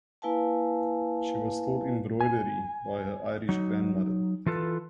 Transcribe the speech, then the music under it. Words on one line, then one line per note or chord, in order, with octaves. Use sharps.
She was taught embroidery by her Irish grandmother.
A#3 E4 B4 F5 G#5 A5
G#5
F#3 D#4
E3 F4 A4 B4